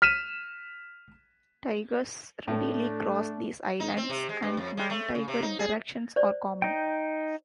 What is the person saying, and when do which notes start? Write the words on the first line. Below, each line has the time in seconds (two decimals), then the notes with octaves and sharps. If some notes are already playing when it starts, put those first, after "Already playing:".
Tigers readily cross these islands and man-tiger interactions are common.
0.02 F6 B6 D#7 E7
2.48 A2 A3 D4 A4
3.80 D#4
3.97 C4
4.10 C3
4.29 G#3
4.43 G2
4.57 F2
4.77 G#3
4.90 A3
5.15 C#3
5.28 C3
5.42 D#4
5.59 G#4
6.16 C5 D5
6.62 D#4 G5